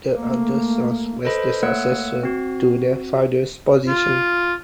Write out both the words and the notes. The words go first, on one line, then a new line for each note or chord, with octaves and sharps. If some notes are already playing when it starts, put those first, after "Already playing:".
The eldest son was the successor to their father's position.
A3 A#3
A4 B4 C5 D#5 B5
A3 A#3 C#5 F#5 E6 F#6
C4 F#4
F4